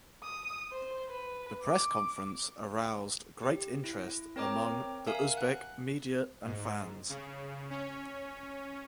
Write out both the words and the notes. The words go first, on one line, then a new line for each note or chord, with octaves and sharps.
The press conference aroused great interest among the Uzbek media and fans.
D#6
C5
B4
D6
G4
E4
C4 A#4 C#5 G5 A#5 D6
A#4 E5 F5 G#5
F#5 F#6
G#2
C#3
C#4